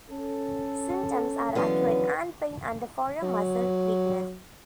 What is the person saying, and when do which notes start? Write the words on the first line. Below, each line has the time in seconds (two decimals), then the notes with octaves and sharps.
Symptoms are acute hand pain and forearm muscle weakness.
0.10 C#4 A4
1.55 D3 E3 F#3 B3 C#4 F5
3.22 F#3